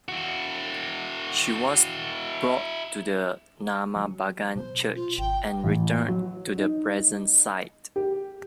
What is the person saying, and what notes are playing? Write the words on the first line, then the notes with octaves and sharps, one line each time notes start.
She was brought to the Namagbagan church, and returned to the present site.
E4 F#4
F#3
B2 C5
F4
G#1 G5
A1
F#3
D#4
G4